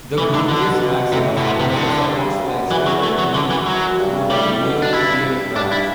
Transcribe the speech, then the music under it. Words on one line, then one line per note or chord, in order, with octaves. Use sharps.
The gluteus maximus also supports the extended knee through the iliotibial tract.
A2 E3
D3
B2 D3
B2
A2 C3
B2
C3
C3
C3
D3
G2
F#2
E2 E3
F#3
E2 A3
F#3
F#2 D3
E3
F#3
G2
A2 G3
B2
D4
G2 E4
G2 D4
E4